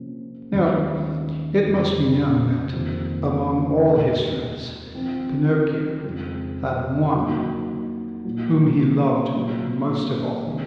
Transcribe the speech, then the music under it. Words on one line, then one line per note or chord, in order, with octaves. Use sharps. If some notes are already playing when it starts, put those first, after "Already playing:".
Now it must be known that, among all his friends, Pinocchio had one whom he loved most of all.
Already playing: C3 F3 A#3 C#4
D#2 D#3 G#3 C#4
F2 C#3 G#3
F2 C3 D#3 A#3
D#2 D#3 G#3 D#4
F3 C4 F4
F2 C#3 G#3 C4
F#3 A#3 D#4
A#2 F#3 A#3
A#2 F#3 A#3
C3 D#3 G#3